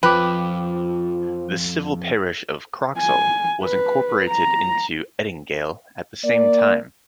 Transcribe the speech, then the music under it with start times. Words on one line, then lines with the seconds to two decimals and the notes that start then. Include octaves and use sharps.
The civil parish of Croxall was incorporated into Edingale at the same time.
0.03 F2 F3 B4 G5 D6
2.99 G#5
3.64 B4
4.29 A#5
6.24 A#3 D5